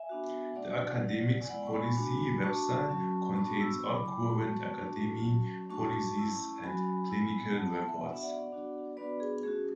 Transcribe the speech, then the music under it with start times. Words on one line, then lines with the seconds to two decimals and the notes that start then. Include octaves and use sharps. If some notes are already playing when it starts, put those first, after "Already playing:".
The academy's policy website contains all current academy policies and clinical reports.
Already playing: E5 G#5
0.09 B3 D4 F#4
0.55 A3 D4 F#4 D5 F#5
1.02 A3 E4
1.41 G#5
1.49 G#3 B3 E4 D5 F#5
1.67 C#6
1.73 G#5 B5
1.96 A3 D4 F#4
2.42 A3 D4 F#4 A5 C#6
2.89 F#3 C#4 F#4
3.36 B3 D4 F#4 A5 C#6
3.60 C#6 E6
3.82 F#3 A3 E4 B5 D6
4.06 B5 D6
4.29 G#3 B3 F#4 A5 C#6
4.77 A3 D4 F#4
5.23 F#3 C#4 F#4
5.70 A3 D4 F#4 A5 C#6
6.17 A3 C#4 E4
6.63 F#3 C#4 F#4 G#5 B5
7.10 B3 E4
7.57 B3 E4 F#5 A5
7.73 F#5 A5
7.87 E5 G#5
8.04 B3 D4 F#4 F#5
8.13 E5
8.22 D5 F#5
8.50 B3 D4 F#4
8.97 B3 D4 F#4 B4 D5
9.20 G#4
9.43 A3 C#4 F#4 G#4